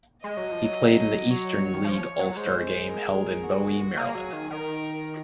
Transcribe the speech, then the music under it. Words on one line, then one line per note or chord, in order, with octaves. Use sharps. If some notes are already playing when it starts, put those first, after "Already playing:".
He played in the Eastern League all-star game held in Bowie, Maryland.
G#3 D#5
F#3
F3
F#3
C#5
D#3
F3
F#3
G#3 C5
A#4
F#4
A#3 G#4
F#3
D#3
D#3 A#4